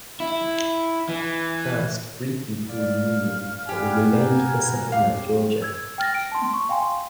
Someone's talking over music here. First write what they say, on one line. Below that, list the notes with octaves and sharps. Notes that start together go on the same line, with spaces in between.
First briefly called Union, it was renamed for Savannah, Georgia.
E4
E3
D5 F5
G2 B3 C4 G4 G5 G#5
A#4 F5 G6
E2 G4 F5
E6 G#6
G5 F6 A6 A#6
D7
A5 C6
C#6
F5 G5 G#5 C6